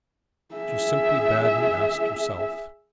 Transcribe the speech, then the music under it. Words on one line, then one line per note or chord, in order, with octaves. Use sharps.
She simply bade me ask yourself.
G#4 E5